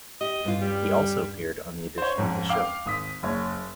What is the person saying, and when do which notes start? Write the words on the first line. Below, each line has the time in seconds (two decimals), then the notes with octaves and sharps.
He also appeared on the edition of the show.
0.21 G4 D#5
0.45 G2 C#4 F4
0.62 G3
1.98 C5 C#5
2.16 F2 G#2 C#4
2.49 F5 G5 D6
2.86 G#1 D#6 B6
3.23 F#1 C#5